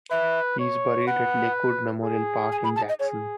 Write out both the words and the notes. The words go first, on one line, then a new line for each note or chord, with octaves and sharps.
He is buried at Lakewood Memorial Park in Jackson.
B4 E5
C#5
B4 F#5
G#4
G#5
B5
A5
D#5
G#4 C#5